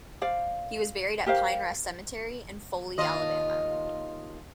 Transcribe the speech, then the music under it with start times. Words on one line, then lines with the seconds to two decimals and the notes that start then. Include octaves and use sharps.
He was buried at Pine Rest Cemetery in Foley, Alabama.
0.22 C5 D5 F5
1.26 G4 A#4 C5 F5
2.98 D#2 F4 D#5